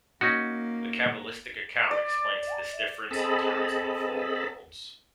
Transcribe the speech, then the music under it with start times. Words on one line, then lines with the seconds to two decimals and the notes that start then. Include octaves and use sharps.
The Kabbalistic account explains this difference in terms of the Four Worlds.
0.21 A#3 C#4 D#4 F#4
1.91 D5
3.11 C4 G#4 A4 D#5 A5 B5